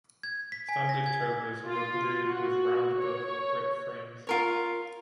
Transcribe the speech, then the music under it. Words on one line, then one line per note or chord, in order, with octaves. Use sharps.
Standard Cobras were blued with round-butt grip frames.
G#6
B6
G#5
A#6
G#6
F4
F#4
C#5
F4 A#4 C#5